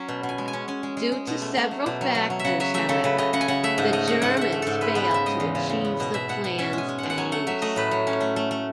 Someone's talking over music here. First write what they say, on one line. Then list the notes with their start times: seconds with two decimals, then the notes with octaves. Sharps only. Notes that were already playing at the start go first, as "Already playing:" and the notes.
Due to several factors however, the Germans failed to achieve the plan's aims.
Already playing: F#3 C#4
0.08 B2
0.23 B2
0.29 G#5
0.38 G#3
0.48 G#5
0.53 C#4
0.68 C#4 G#5
0.83 G#3
0.97 G#3
1.12 G#3
1.27 B2
1.42 A3
1.57 A3
1.71 F#3
1.86 B2
2.01 F#3
2.15 F#3
2.30 F#3
2.39 E5
2.44 C#3 F#5
2.60 F#3 E5
2.74 A3 E5
2.89 C#3 A4
3.04 C#3 B4
3.18 C#3 D#5
3.33 C#3 F#5
3.41 G#5
3.48 C#3 F#5
3.63 A3 E5
3.78 G#2 D#5
3.93 A3 D#5
4.07 A3 F#5
4.22 G#2 F#5
4.37 G#2 E5 F#5
4.52 A3
4.62 G#2 A4
4.81 G#3 B4
4.95 B3 B4
5.11 C#3 E5
5.26 G#3 D#5
5.40 E2
5.55 C#3
5.69 C#3
5.85 B3
6.00 B2 D#5
6.14 B2 E5
6.29 B2 F#5
6.44 B2 F#5
6.58 C#4 E5
6.73 G#3
6.78 G#5
6.89 G#3
6.98 B2 F#5
7.10 F#5
7.18 F#3 G#5
7.32 A3 F#5
7.47 F#3 E5
7.62 A3 D#5
7.76 A2 B4
7.91 F#3
8.07 C#4
8.20 A3
8.36 A3
8.51 A3